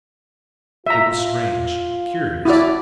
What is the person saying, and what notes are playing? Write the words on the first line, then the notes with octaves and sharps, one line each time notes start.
It was strange, curious!
F4 E5 A#5
E4 F#4 D5